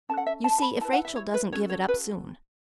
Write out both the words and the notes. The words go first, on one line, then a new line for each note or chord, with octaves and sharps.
You see if Rachel doesn't give it up soon.
C#4 A4 A5
F#5
E5
A5
A5
B5
E4 B4 A5
F#5
E5
C#5
B4
C#4 F#4 A4 C#5
C#5
B4